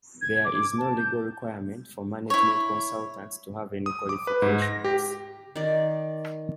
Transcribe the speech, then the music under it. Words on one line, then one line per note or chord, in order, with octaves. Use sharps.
There is no legal requirement for management consultants to have any qualifications.
G#6
D6
A5
G6
E4 C#5
D#6
D6
B4
G#2
A#6
G4
D#3 D5